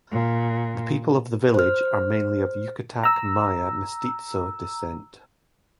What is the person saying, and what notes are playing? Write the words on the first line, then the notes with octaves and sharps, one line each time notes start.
The people of the village are mainly of Yucatec Maya Mestizo Descent.
A#2
C5 F6
A#5 E6